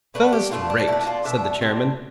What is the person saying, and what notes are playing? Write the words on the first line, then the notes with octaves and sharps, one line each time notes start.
'First-rate!' said the Chairman.
B2 A3 D4 B4
G4
B2 A3 D4 F4
D4
B2 A3 D4 E4
F4
B2 A3 D4 E5
A2 G3 C4